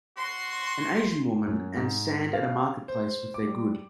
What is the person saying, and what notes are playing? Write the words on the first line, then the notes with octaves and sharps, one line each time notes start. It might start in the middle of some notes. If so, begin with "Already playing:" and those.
An Asian woman and sand at a marketplace with their good.
F#4 C6
F#2
G#2
F5
C5
D6
G3